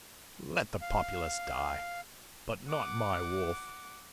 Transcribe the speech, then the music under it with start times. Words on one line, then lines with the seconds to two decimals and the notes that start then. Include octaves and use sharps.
Let the populace die, but not my wolf.
0.81 F5
2.68 F#5 D6